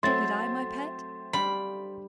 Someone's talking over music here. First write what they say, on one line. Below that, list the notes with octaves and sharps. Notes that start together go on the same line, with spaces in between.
"Did I, my pet?"
F#3 A3 C4 E4 C6 A6
G3 D4 F5 B5